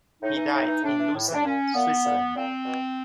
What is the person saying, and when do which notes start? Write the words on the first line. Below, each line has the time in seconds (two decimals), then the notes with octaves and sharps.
He died in Lucerne, Switzerland.
0.22 A2 D#4
0.37 E3
0.53 A2
0.67 E3
0.82 A2 D4
0.99 E3
1.14 A2
1.28 E3
1.34 D4
1.44 A#2 C#4
1.74 A#2 B3
2.05 A#2
2.35 A#2 C4
2.65 B2